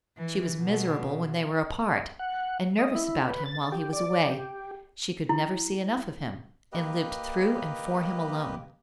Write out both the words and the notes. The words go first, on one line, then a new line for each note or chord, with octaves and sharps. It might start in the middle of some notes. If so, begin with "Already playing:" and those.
She was miserable when they were apart, and nervous about him while he was away; she could never see enough of him, and lived through and for him alone.
E3
B2
F#5
D#5
E4
B4
A6
G4
D5
G4
E4
A#3 G4 B4 D#5